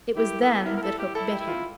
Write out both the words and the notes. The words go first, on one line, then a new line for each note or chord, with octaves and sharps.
It was then that Hook bit him.
E4 G4
A4
E4 A#4
A#4
A4
G4
E4 A4
G4
E4
F4